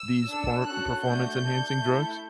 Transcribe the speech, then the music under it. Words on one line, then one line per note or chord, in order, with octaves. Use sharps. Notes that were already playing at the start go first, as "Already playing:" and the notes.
these por performance-enhancing drugs?
Already playing: E6
D4 A4
C#4 F#4 A4 F#6
A3 D4 F#4 G6
D4 A4
A3 E4 A4